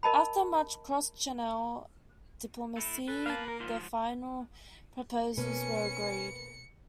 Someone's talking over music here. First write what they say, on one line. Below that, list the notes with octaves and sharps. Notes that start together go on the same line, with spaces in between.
After much cross-Channel diplomacy the final proposals were agreed.
A#4 D#5 A5 B5
A3 E4
A4 B4
A#3 F5 A5
A#4
G#2 F3 F4
B2 A#3 C#4 A4 B4 G#5 C#7